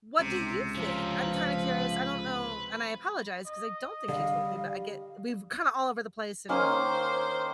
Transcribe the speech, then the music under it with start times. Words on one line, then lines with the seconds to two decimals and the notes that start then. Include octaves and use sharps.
what do you think? I'm kinda curious, I don't know, and I apologize 'cause I don't think you told me, but I get we've kinda all over the place. And,
0.19 C#2 C3
0.75 F3 C#4 D#4
1.23 B4
3.46 D#5
4.09 D3 G3 F5
6.49 D#3 A#3 C#4 C5